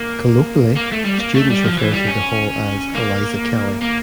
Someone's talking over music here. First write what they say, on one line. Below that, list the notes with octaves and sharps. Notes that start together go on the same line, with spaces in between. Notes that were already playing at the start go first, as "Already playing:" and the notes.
Colloquially, students refer to the hall as "Eliza Kelly".
Already playing: A#3
A#3
A3
G3
A#3
A3
G3
F3
E3
G3
C#4
A#3
A#3